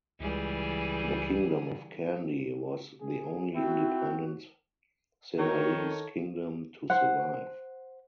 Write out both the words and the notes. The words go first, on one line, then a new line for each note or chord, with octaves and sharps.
The Kingdom of Kandy was the only independent Sinhalese kingdom to survive.
C#2 E3 G3 G#4
G#4
C4 E4 F#4
D#3 F#4 A#4 C#5
D#4 A4
C5 F#5